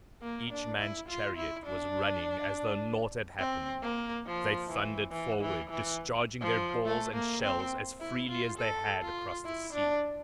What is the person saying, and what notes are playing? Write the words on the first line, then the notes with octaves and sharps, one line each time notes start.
Each man's chariot was running as though naught had happened; they thundered forward, discharging their balls and shells as freely as they had across the sea.
A#3
D4
E4
F4
E4
D4
C4
A#3
F3
E3
E3
E3
E3
F3
A3
A#3
C4
E4
F4
A4
F4
E4
D4